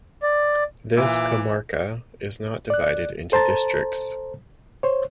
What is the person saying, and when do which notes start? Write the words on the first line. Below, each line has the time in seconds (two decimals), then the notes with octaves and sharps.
This "comarca" is not divided into districts.
0.22 D5
0.97 A#2 E3 E5 D6
2.70 D5 F#6
3.32 A4 C5 A5 A#5 A6
4.83 C5 C#5